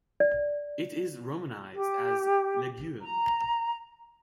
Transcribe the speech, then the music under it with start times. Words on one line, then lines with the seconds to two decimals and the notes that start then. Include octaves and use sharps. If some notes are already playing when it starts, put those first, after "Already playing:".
It is Romanized as "Lugeum".
0.20 D5
1.75 G4
3.01 A#5